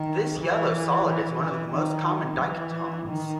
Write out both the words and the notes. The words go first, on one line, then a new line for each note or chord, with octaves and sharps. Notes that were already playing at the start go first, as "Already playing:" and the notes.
This yellow solid is one of the most common diketones.
Already playing: D#3
E3
E3
E3
D#3
E3
D#3